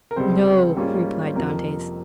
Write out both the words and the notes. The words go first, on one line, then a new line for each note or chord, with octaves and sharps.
"No," replied Dantes.
A#4
C#2 C3 G3 C4 C5
G#2 G3 A#3 C#4 F4
F2 C3 F3 A#4